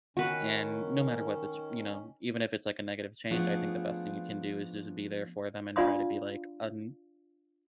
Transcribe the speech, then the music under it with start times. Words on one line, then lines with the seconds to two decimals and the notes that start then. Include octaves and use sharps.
and no matter what the ch you know, even if it's, like, a negative change, I think the best thing you can do is just be there for them and try to be, like, un
0.17 D#3 C#4 F#4 B4
3.30 F3 A3 B3 D4 F4 G#4
5.76 D4 F4 D5 F5 C6 D#6